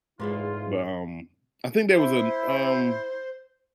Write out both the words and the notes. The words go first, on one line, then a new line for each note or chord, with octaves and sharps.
But, um, I think there was an, um
E2 G#2 G#3 A3 E4 F4
E4 C5